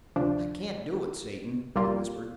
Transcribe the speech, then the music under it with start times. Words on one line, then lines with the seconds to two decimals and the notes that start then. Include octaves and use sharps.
"I can't do it, Satan," he whispered.
0.16 D2 C3 F3 D4
1.75 C2 A#2 G3 A#3 F4